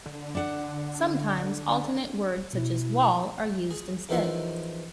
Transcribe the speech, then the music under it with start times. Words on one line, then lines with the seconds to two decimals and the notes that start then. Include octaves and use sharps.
Sometimes alternate words, such as "wall," are used instead.
0.06 D3
0.35 D4 F#5
2.53 B2 E4
3.71 G#4
4.09 E2 D#3 F3 E4 F#5 C6